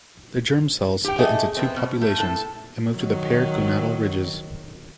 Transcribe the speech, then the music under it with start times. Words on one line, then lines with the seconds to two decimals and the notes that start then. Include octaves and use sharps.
The germ cells split into two populations and move to the paired gonadal ridges.
1.04 G4 G5
1.18 A3 G#4 D#5
1.57 B3 C4
1.76 B2
2.01 A3
2.18 A2 A4
2.96 D#3 F#3